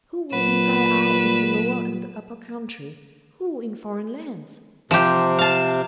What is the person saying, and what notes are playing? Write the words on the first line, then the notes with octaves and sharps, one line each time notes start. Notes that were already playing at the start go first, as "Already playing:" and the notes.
Who will be thy eye in the Lower and the Upper Country, who in foreign lands?
A#2 F#3 B4 E7
C3 F3 G4
F5 A5